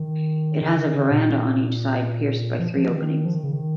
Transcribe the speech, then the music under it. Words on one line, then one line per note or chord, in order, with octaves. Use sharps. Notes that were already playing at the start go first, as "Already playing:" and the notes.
It has a verandah on each side pierced by three openings.
Already playing: D#3
C#3
D#3
C#3
A#2
F3
F3
D#3
F3
D#3
C#3
D#3